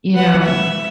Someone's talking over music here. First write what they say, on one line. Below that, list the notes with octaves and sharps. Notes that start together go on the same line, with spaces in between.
You know?
B4 F#5
E5